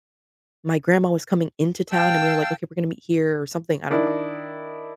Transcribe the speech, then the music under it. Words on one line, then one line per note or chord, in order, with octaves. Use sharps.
My grandma was coming into town, and we were like, "Okay, we're gonna meet here," or something. I don't know.
F5 G5 A5 E6
D#3 D4 E4